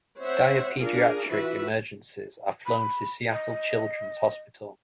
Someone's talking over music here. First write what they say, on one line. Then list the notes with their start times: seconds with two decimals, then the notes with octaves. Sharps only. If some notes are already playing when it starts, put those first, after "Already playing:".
Dire pediatric emergencies are flown to Seattle Children's Hospital.
0.22 C4 C5 C#5 E5 F#5
0.78 D4 F4 G#4 A#4 F5
1.28 E3 F4 F#4 B4 E5
2.66 B5
3.32 D#5